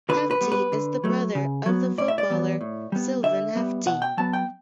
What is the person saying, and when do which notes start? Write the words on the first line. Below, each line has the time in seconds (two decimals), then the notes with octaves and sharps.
Hefti is the brother of the footballer Silvan Hefti.
0.09 D3 B4
0.31 B4
0.41 G3 B3
0.52 B4
0.72 D3
1.04 F#3 A3
1.35 C#3
1.66 F#3 B3
1.98 A2 D5
2.08 E5
2.18 D5
2.30 E3 G3 B3
2.61 A2
2.92 G3 B3
3.23 D3 E5
3.55 G3 B3
3.86 B2 F#5
4.02 G5
4.17 F#3 B3 A5
4.33 G5